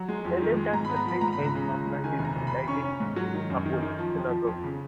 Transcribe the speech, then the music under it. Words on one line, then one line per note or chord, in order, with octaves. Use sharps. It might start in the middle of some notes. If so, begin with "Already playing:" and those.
They lived at separate ends of the dilapidated Kabul synagogue.
Already playing: F#3 A#5
G#3
F2
D#3
G#3
G#2 A#5
B5
B3
A#5
F3 B5
G#2 A#5
B5
C#2
A#5
C#3
C#2
G#3
D#3 G#5
F1
A#5
F1
F1 B5
C#4 C#6
C#4
G#2
F#3
D#3
F#2
D#3
D#3
F3
F2
F3
F2
C#3